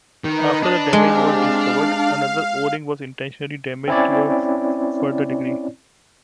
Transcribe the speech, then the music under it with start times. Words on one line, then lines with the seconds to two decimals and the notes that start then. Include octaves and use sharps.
After the damage was discovered, another O-ring was intentionally damaged to a further degree.
0.24 D#3 B4 D#5
0.63 D4 A#5
0.93 G#3 C4 G4 F5
1.27 F5
3.88 C4 C#4 E4 C#5 D5